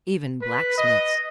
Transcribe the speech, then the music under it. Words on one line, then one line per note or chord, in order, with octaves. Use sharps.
"Even blacksmiths!"
B4
D#5